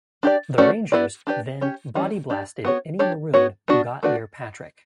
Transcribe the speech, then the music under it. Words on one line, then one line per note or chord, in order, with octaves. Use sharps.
The Rangers then body-blasted any Maroon who got near Patrick.
D4 G4 D5
A3 C#4 F#4 B4 D5
B3 E4 B4 D5
D4 G4 B4 D5
C#4 G4 C#5
E3 G3 C#4
D4 G4 D5
B3 F#4 C#5
D4 G4 C#5
B3 F#4 C#5
B3 D4 F#4
A3 D4 F#4 B4 D5